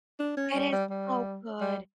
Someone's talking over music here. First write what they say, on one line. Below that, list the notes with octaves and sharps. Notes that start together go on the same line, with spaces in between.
it is so good,
D4
C#4
G3
G3
G3
G3